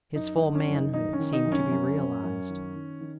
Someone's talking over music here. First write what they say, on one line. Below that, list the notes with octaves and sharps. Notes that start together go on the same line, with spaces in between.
His full manhood seemed to be realized.
F#2 D#4
D#4
D#3
C#4
F#2
D#4
D#3 D#4
C#4
D#3
D#4
F#2
C#4
F#2
F#2
F#2
D#3
D#3
D#3